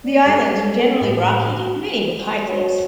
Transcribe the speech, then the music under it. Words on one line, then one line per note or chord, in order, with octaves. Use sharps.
The islands are generally rocky, many with high cliffs.
D5
G3 C#4 A4
A2 E4 G4
F#4
F#3